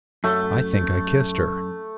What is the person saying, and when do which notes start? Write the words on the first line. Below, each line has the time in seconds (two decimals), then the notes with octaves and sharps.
I think I kissed her.
0.24 F#2 A3